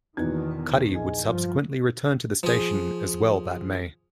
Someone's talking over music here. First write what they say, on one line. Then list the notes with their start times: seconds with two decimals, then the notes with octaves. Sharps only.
Cuddy would subsequently return to the station as well that May.
0.17 E2 B2 D3 D#3 A#3 D#4 F#4 G#6
0.51 B4
0.94 A#1 G#4 D#5 G#5
1.25 G2 F3 F4
2.43 F3 G#4